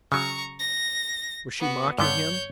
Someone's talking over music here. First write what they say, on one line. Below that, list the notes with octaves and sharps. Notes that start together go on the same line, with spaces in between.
Was she mocking him?
C#3 F#3 A#5 C#6
A#6
B3 F#4
G2 D3 B3 C#5 G6